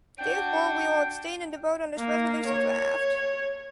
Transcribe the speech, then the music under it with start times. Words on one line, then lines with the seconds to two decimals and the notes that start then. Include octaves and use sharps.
Therefore, we will abstain in the vote on this resolution draft.
0.18 D4 F#4 G5
1.98 A#3
2.47 C#5